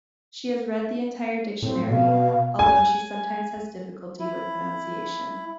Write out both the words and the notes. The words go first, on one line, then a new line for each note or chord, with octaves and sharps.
She has read the entire dictionary, although she sometimes has difficulty with pronunciation.
A2 C4
B2 F5
G#5
E4